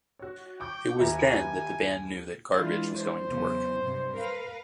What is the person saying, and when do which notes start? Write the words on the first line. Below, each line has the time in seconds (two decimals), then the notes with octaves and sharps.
It was then that the band knew that Garbage was going to work.
0.19 F#4 C#5
0.60 G5 C#6 D6 G6
0.99 D#2 G4 B4 E5 G#5 A#5
2.57 E3 G#3 D4 F4
2.96 C5
3.28 E2 C#3 F#3
3.82 G2 C3
4.15 A#4 B4 F5